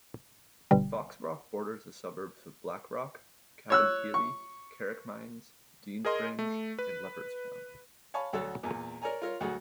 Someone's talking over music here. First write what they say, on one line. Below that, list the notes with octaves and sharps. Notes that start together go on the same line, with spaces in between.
Foxrock borders the suburbs of Blackrock, Cabinteely, Carrickmines, Deansgrange and Leopardstown.
G1 B2 D3 G3
C#5 E6 F#6
C#6
G#4 A#4 D#5 C6
A3
B4
C#5 F5 G#5 A5 B5 C#6
D2 F#3 A4 C#5
E2 A#2
A#4 C#5 D5 G#5 A#5
F4 A#4 C#5
D2 F#3 A3 F#4 G#4